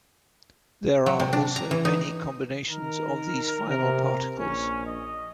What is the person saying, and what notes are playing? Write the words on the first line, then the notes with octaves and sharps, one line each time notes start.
There are also many combinations of these final particles.
F#3
C3
D4
A#5
E3
D#4
D#3 A#4
C3 A#4
A#4
A#1 C#4
D#5